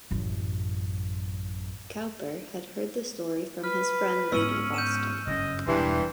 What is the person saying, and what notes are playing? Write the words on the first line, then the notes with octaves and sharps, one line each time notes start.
Cowper had heard the story from his friend Lady Austen.
A1 F#2
B4 F6
G#2 G#3 B3 C#4 E6 D#7 F#7
G6 D#7 E7
F#1 G2 C#4 D#5
E1 G2 E3 C6